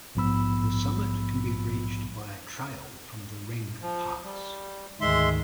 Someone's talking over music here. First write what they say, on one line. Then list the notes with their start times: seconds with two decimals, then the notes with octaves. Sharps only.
The summit can be reached by a trail from the Renggpass.
0.15 A#1 G#2 F3 B3 B5 E6
3.81 F3
4.24 G3
5.01 D2 G#2 D#3 G#3 E5 C6